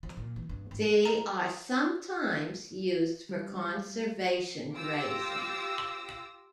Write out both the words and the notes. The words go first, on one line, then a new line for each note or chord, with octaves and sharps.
They are sometimes used for conservation grazing.
F3
A#2
E3
G2
G#2
A#5
G3
F4 G4 D6 E6 A#6